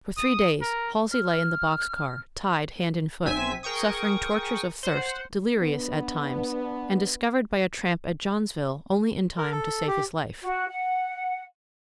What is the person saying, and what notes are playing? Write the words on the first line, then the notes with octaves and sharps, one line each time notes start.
For three days Halsey lay in the box car, tied hand and foot, suffering tortures of thirst, delirious at times, and discovered by a tramp at Johnsville only in time to save his life.
D#6
A#4
F6
B1 C4 E5 G#5 B6
G#4 A#4 G5 C#6 D#6
C5 F#5
B3 D4
A#4
A4
G4
F#4
F#5